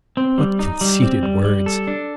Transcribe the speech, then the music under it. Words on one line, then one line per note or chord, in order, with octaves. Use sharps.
What conceited words!
C4
G3
D#4
G3
C4
G3
G3
A4
D4